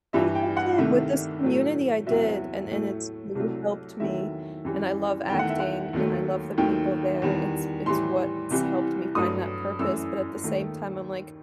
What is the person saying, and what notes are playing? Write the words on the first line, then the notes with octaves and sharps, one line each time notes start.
I I did with this community, I did, and and it's really helped me and I love acting and I love the people there, it's it's what's helped me find that purpose, but at the same time, I'm like,
G2 E3 G3 E5
G5
F#5
C2 C3 D#3 A3 E5
A2 F#3 A3
E2 C3 F#3 E5
A2 F#3 A3
C2 C3 F#3 A3
E2 D#3 F#3 A3 E5
F#2 E3 G3
E2 D#3 A3 G5
F#5
E5
F#5
D#2 D#3 F#3 A3
D#2 D#3 F#3 A3 G5
E2 D#3 G3
A2 E3 G3 C6
C2 C3 E3 G3
G2 F#3 A3 D#6
F#2 E3 A3 E6
D#2 D#3 A3